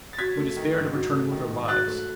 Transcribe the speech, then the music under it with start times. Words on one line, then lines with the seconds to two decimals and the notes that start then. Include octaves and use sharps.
We despaired of returning with our lives....
0.13 A6
0.18 F#3 G#6 B6
0.37 A3
0.57 D#3
0.76 G#2
0.93 F#3
1.12 A3
1.31 D#3
1.50 G#2
1.68 F#3 F#6 A6
1.87 A3